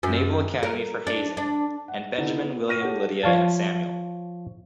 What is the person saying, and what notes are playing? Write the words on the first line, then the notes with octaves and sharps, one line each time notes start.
Naval Academy for hazing; and Benjamin, William, Lydia, and Samuel.
F#2
A#4
D4
D4
F#5
D3 B3 D#4 E4
B3
C#6 F6 A#6 D#7
G4 A4 C#5 F#5
F3 C#5 F5 A5